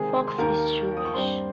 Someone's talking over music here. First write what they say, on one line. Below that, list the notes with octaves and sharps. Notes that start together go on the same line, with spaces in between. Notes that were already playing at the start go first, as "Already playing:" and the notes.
Fox is Jewish.
Already playing: C3 D#3 G#3 C4 G#4 G#5
C6
D#2 D#3 A#3 A#4 A#5
D#6
C#6
G2 G3 C4 C5 C6